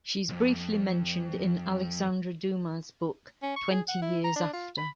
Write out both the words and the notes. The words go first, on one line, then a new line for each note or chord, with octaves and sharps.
She is briefly mentioned in Alexandre Dumas' book "Twenty Years After".
C2 F2
C#4
C#6
G#4
F#5
E4
A#5
D4
F4
B5